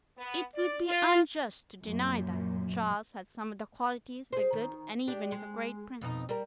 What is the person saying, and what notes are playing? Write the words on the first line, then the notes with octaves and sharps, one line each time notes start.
It would be unjust to deny that Charles had some of the qualities of a good, and even of a great prince.
B3
D5
F4
F#2 A#2
G#4 C5
D#3
D4 G4
G#3
F2 B2 D#4
G3 A#4